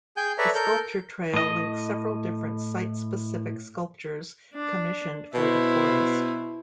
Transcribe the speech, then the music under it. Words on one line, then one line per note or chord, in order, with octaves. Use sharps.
The Sculpture Trail links several different site-specific sculptures commissioned for the forest.
G#4 G5 G#5 G6
A4 B4 C#5 D5 E5 A#5
A4 A#4 G6
A2 D#5
D4
B2 E4 C5